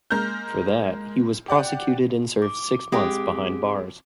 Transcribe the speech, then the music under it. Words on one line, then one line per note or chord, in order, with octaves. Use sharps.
For that, he was prosecuted and served six months behind bars.
G#3 A#3 A#5 F6 G6
G4 D5 F#5
D6
G#3 C4 G4 D6